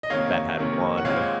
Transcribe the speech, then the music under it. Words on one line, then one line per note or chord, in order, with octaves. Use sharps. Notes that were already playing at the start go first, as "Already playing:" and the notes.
that had one
D#5
C3 D#3 A#3 C#4 C#5 F5
C3 D#3 A#3 C#4
F#5
A#2 G#3 C4 C#5 F5